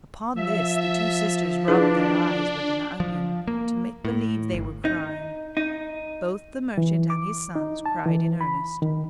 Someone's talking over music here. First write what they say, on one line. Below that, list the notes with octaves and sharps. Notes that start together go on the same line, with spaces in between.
Upon this, the two sisters rubbed their eyes with an onion, to make believe they were crying; both the merchant and his sons cried in earnest.
F3 E5
D4 E4 G#4 B4
F3
A#3
A2
G1
D#4
D#4
E3
D6
D#4
A5
E3
B5
D#3